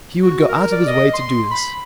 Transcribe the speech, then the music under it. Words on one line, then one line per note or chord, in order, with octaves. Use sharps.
He would go out of his way to do this.
F#4
A#4
D5
D#5
C6
B5